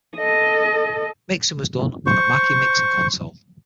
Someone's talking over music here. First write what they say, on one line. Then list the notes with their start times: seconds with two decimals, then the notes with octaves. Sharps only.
Mixing was done on a Mackie mixing console.
0.16 A4 D#5
2.06 C5 C#6